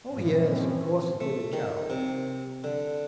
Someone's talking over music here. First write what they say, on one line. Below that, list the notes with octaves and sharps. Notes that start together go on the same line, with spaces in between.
"Oh, yes, of course!" admitted Carroll.
G2 A#2 E3 F3 C4 C#4
A3
D#3
C3
D3